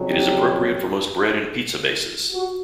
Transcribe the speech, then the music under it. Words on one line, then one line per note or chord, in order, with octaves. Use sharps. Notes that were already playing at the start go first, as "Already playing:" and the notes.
It is appropriate for most bread and pizza bases.
Already playing: F2 C#3 F#3
G4
F#4